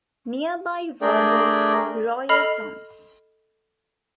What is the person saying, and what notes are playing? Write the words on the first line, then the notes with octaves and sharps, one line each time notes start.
Near by were the royal tombs.
A3 D4 G#4 A#4 D5 G5
A4 D#5 B5 F6 C7 F7